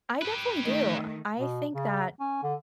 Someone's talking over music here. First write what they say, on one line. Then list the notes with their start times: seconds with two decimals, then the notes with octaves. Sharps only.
I definitely do. I think that,
0.22 G4 B4
0.63 D#3 A3
1.38 B2
1.74 C#3
2.20 C#4
2.43 D3